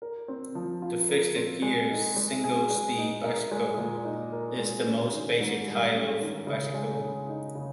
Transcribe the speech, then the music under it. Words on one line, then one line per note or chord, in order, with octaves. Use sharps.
The fixed-gear single-speed bicycle is the most basic type of bicycle.
A#4
C4
F3
F4
A#4
C4
G#3
D#4
G#3
G#4
G#3
D#4
A#4
G#3
A#2
D#4
A#4
G#3
C#4
D#3
G#2
G3
C#4
D#3
C#3
G#3
C#3
D#4
C#3